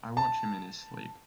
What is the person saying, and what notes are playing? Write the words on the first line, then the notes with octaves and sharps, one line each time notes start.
I watch him in his sleep.
A5